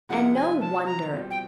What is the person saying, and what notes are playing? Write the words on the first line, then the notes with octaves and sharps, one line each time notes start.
And no wonder!
C3 F3 G#3 B3 E4 F#5
G#5
A5
A#5
C#2 B2 G3 C4 F4
G5